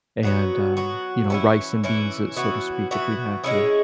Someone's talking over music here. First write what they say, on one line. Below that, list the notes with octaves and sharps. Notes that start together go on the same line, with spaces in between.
and, um, you know, rice and beans it, so to speak, if we'd had to.
F#3 B3 F#4
F#3 B3 F#4
E3 C#4 E4
E3 C#4 E4
E3 B3 F#4
E3 B3 F#4
G#3 C#4 E4 G#4